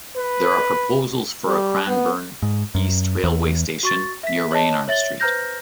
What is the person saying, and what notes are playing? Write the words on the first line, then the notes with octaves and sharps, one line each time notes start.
There are proposals for a Cranbourne East railway station near Reynard Street.
B4
G3
B3
G#2
F#2
E2
F#4 C#6 A6
E5 B6
C#5 D#5 A5
C#5 E5 A6 F#7 G7
B4 C5 A#5 F6 G6 A#6